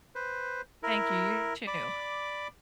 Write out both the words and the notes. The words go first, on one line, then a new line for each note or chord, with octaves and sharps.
Thank you, you, too.
B4 C5
E4 A#4
D5 B5 D6